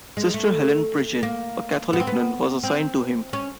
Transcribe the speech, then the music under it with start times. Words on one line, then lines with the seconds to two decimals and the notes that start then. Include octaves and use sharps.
Sister Helen Prejean, a Catholic nun, was assigned to him.
0.17 G#3
0.34 A3
1.23 A#3
1.93 B3
2.00 C4
2.07 B3
2.63 C4
3.33 C#4